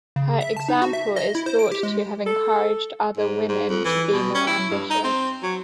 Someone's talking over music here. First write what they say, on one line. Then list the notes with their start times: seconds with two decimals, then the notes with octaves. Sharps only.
Her example is thought to have encouraged other women to be more ambitious.
0.16 C#3
0.41 E5
0.57 A5
0.69 D#4
0.82 F#4
0.93 E5
1.16 D#5
1.35 E4
1.46 C5
1.59 D7
1.72 G4
1.83 G#3
2.26 A4
3.17 G#2
3.48 G#2
3.69 F2
3.84 E3
4.12 B2
4.34 C#4
4.47 E4
4.70 G2
4.90 D#4
5.04 C4
5.43 F#3